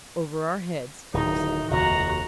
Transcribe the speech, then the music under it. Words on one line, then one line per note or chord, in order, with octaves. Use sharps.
"Over our heads," he said calmly.
D1 D#3 D#4
F1 D#2 F#4 A#5